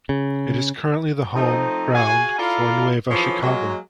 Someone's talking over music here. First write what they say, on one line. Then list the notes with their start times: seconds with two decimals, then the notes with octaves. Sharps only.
It is currently the home ground for Nueva Chicago.
0.09 C#3
1.35 F3 A3 C4 D#4
1.94 F#4 G#4 F5 F#5 G#5
2.39 E4 F4 A4 D5 F5 A#5
3.10 E3 F3 C#4 G#4 A4 C#5
3.41 F#3 G#3 A#3